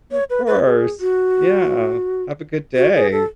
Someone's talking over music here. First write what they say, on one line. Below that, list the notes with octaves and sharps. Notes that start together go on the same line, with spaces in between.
Of course. Yeah, have a good day.
C#5
B4
B4
G#4
F#4
F#4
G#4
A4